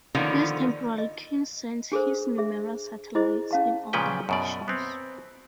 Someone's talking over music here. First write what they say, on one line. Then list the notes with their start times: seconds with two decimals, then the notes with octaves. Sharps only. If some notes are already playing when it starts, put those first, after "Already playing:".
This temporary king sends his numerous satellites in all directions.
0.15 D3 D#3 F3 A#3 B3 C#4
0.98 D#5
1.92 D4 G#4 A4 C5
2.38 G#4 E5
3.15 E4 G#4 C5 D#5
3.51 C#4 F5 A5
3.93 A#2 C#3 F3 C#4 B4 G5
4.29 F#2 B2 D5
4.68 B3 C4